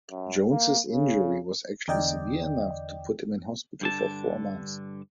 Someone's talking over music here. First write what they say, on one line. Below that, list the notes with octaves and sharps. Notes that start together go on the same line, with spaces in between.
Jones's injury was actually severe enough to put him in hospital for four months.
F#2
A#3
C#3
E2 D3 D5 D#5 G5
G2 D3 A5